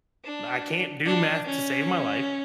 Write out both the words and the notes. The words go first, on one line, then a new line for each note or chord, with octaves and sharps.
I can't do math to save my life,
D4
D4
C#4